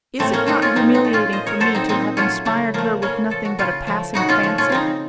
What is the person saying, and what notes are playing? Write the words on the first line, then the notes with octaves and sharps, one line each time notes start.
Is it not humiliating for me to have inspired her with nothing but a passing fancy?
A2 A3 C4
A#3 C#4
A3 C4 D#4
C#4 F4
A2 C4 D#4
C4 D#4
A3
C#4 F4
A#2 C5 D#5
A#4 C#5
F#3 A3 A4 C5
C4 D#4
A#2 C4 D#4
F#3 A3 C#4 F4
C#3 A3
F3 A3 A#3
C#3 A#3 C#4
F3 A3 A4
F#4
C#3 C#4 F4
F3 A3
C#3 D#4 F#4
C#4 F4
F3 A3
C#4 F4
C#3 C4 D#4